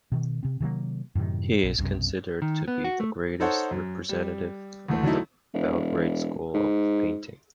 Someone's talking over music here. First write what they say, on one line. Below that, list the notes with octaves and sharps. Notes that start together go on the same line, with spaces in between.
He is considered to be the greatest representative of the Belgrade School of Painting.
B2 D#3
C3 C4
C3 D#3 F#3 A#3
F#2 A2 C3 D#3
A#1
B1 F#2 C3
D#3
B3
F#4
A3
D#4 A4 C5 C#5 F#5
F#2
G3
D2 D3 E3 A3
D3 F#3 A3 D#4 E4
E1
G#2